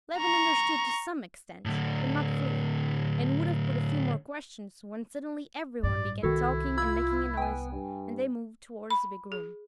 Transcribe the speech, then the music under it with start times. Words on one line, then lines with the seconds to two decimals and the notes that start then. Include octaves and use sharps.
Levin understood to some extent, but not fully, and would have put a few more questions, when suddenly everyone began talking and making a noise and they moved towards the big room.
0.18 A#5 C#6
1.65 A2 D3
5.83 A1 G2 D5
6.23 C2 D#3 E4 F#4 A4
6.78 F4 B5 E6 G#6
7.37 B3 G5 G#5
7.72 G2
8.90 B5
9.32 G#4